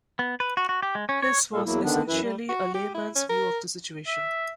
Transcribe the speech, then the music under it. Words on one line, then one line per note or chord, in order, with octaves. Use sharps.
His was essentially a layman's view of the situation.
B3
B4
F#4
F#4
G4
G#3
C#4
C#5
A#2 G3 A#3 A4 F5
E2 F#3 A#3 E4
D3 D#3 B3 D4
F#2 E3 E4 B4
G3
F#4
G4
E4
C#4
A#4
E5